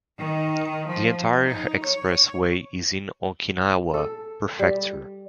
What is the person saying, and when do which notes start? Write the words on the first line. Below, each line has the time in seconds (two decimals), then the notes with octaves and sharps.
The entire expressway is in Okinawa Prefecture.
0.18 D#3
0.88 F3
1.44 D#4
1.81 C#5
3.94 A4
4.59 G3